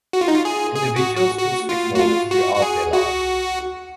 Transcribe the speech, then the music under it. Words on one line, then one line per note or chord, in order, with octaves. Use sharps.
Individuals can switch roles throughout their life.
F#4
F4
D#4
F4
G#4
G#4
F#4
F#4
F#4
F4
F#4
F4
F#4
F#4
G#4
F#4